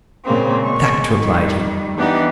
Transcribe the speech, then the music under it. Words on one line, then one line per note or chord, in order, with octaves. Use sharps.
"Fact!" replied he.
A#2 C#3 G#3 A#3 C4
B2 G#3 C#6
D#3 G3
E3 B3 D4 D#4 G4